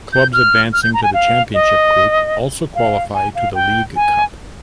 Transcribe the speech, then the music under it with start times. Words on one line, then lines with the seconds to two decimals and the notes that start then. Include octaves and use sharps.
Clubs advancing to the Championship Group also qualify to the league cup.
0.13 G6
0.33 F6
0.73 F6
0.83 G6
0.94 A#5
1.03 G#5
1.14 F5
1.54 D#5
2.75 F5
3.14 G#5
3.35 F5
3.55 G5
3.96 G#5